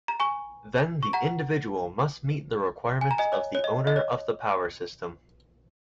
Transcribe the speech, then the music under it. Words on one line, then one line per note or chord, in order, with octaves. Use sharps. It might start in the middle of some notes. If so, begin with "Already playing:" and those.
Then the individual must meet the requirements of the owner of the power system.
A#5
G#5 C#6
C#6
F#5 A#5
G#5
A#5
D#5 G#5
C#5
C#5
D#5
D#5
C#5